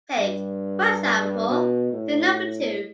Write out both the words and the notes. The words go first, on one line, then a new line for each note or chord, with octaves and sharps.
Take, for example, the number two.
G2
B2
A2